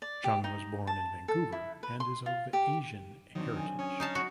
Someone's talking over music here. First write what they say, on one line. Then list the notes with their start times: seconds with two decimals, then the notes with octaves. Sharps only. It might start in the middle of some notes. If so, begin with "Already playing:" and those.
Chung was born in Vancouver and is of Asian heritage.
0.02 D5
0.24 G4
0.44 D#4
0.87 A5
1.28 A4
1.52 E4
1.83 B4
2.00 C6
2.26 F4
2.53 G4
3.35 D#3 F#3 C4 D4
3.56 G#5
3.79 C#4 G#5 D#6 G#6
4.00 D#4 F5 A5
4.15 F#4